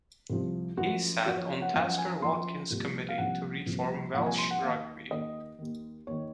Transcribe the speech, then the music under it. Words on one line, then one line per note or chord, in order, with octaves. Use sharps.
He sat on Tasker Watkins committee to reform Welsh rugby.
C2 C3 F3
F#2 F3 F#4
F#2 F3 F#4
C#5
C#5
F#5
F#2 F3 F5
F#5
G#5
F#2 F3 C6
C2 A#2 F3
F5
C2 A#2 F3 F#5
C2 A#2 F3
C2 A#2 F3 F#5
G#5
C6
F#5
D#2 D#3 F5
D#2 D#3 D#5
D#2 D#3
D#2 D#3 C#5